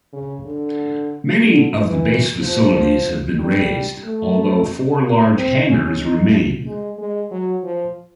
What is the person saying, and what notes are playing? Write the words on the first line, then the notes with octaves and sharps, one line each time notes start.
Many of the base facilities have been razed, although four large hangars remain.
C#3
D3
D3
E3
F3
G3
A3
A#3
C4
C#4
D#4
G#3
G#3
F#3
F3